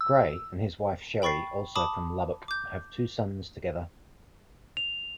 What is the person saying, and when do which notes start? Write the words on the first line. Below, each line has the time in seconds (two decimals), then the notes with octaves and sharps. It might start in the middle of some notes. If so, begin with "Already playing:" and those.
Gray and his wife Sherry, also from Lubbock, have two sons together.
0.01 E6
1.22 G5 B5 C#6 A6 C7
1.75 A5 B5 D6 D#6
2.48 D6 G6
4.77 F7